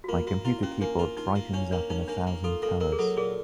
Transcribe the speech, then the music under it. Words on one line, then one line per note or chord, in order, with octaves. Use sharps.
My computer keyboard brightens up in a thousand colors.
F#4
A#3 F4
A#3 F#4
E4 F4
A#3 C#4
A#3 D4
F4
D#4 F4
A#3
C#4 D4
A#3 D4
C#4 D#4
A#3 D4
A#3
F4 A4
A#3 A4
A#3 A#4
G#4
F#3 A4
A#2 G#4